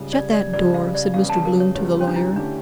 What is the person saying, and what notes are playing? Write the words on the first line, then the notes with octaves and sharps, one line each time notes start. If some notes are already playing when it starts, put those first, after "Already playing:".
"Shut that door," said Mr. Bloom to the lawyer.
Already playing: C#2 C#3 G3
D5
D5
C#2 C#3 G3 D5
F5
D5
E2 C#3 G3 F5
A5
A#4
C#5
E2 C#3 G3 C#5
C#4
D4
E4
D3 A3 C#4 D4 G4